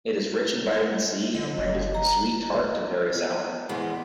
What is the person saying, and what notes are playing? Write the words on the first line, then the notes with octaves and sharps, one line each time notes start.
It is rich in Vitamin C and ranges from sweet-tart to very sour.
G#3
D3 D#5
F#1
A#5
B3
E2 G#3 B3 E4 C5